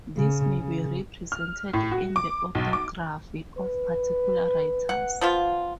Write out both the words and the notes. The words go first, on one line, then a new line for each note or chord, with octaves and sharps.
This may be represented in the orthography of particular writers.
C#3
C#3
F6
A2
F#4
D6
B1
D6
B4
F#5
F3 B3 F4